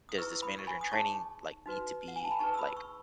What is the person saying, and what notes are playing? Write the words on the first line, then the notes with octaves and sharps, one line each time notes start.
does this manager-in-training, like, need to be, like,
D#6
E4 G#4 B4 C#6 E6
B5 D#6
C#6
G#5 B5
D#6
D#4 G#4 C#5 A5 C#6
D#4 F#4 B4
F#5
G#5
A5
B5
D#4 G#4 B4 A5 C#6
E6
B5 D#6
C#6 E6